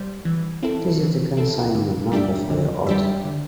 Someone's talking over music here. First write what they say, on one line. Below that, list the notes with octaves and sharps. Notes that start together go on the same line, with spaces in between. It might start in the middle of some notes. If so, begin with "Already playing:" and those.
This is the consignment number for your order.
Already playing: G3 C5
E3
C4 E4 A4
E3
C4 E4 A4
D3
G3 D4 G4 E5
D3
G3 D4 G4 E5
D3